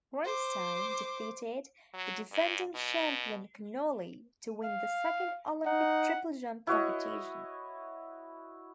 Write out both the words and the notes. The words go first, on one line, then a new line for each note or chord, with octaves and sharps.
Prinstein defeated the defending champion Connolly to win the second Olympic triple jump competition.
C5 D6
F#3
G2
B2
F5
D#4 F#5
E4 F#4 C#5 D#5